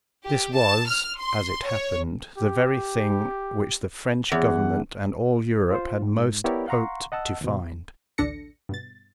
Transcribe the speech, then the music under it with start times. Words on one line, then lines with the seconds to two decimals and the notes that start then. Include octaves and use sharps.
This was, as it happened, the very thing which the French government and all Europe had most hoped to find.
0.24 G4
0.54 A5
0.86 F6
1.18 C6
1.66 C#5
2.38 G4
4.32 E2 F#5
5.71 F4 C5
6.02 G#2
6.44 B3 E4 G4 A#4 C#5 D5
6.68 F5 F#5 A#5 C6 C#6
7.12 D#5 F#5 A5 E6
7.41 D#2 B2
8.18 A1 D2 D4 A4 A#6 C#7
8.69 G2 B2 A6